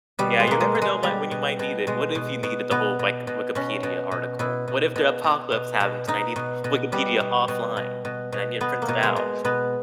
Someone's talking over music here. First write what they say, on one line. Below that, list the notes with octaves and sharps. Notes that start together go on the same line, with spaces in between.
Yeah, you never know mi when you might need it. What if you needed the whole, like, Wikipedia article? What if the apocalypse happens and I need Wikipedia offline and I need it printed out?
B2 G3
G#3
B2 A#3
G#3
B2
G#3
B2 G3
B2
B2
B2 G#3
B2
B2
B2 B3
B2
B2
B2 C#4
B2
B2
B2 E4
B2
B2
B2
B2
B2
B2 D#4
B2
B2
B2 G3
B2
B2
B2
B2
B2
B2 B3
A#3
B2
G#3
B2
B2 B3